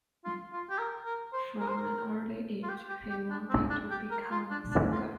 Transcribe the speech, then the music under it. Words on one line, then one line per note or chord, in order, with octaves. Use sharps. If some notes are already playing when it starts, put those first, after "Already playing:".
From an early age, he wanted to become a singer.
F4
F4
G4
A#4
A#4
C5
A#4
C5
A#4
F4
G4
G4
G4
D4
C4
D4
G4
A#4
F4
D4
D4
F4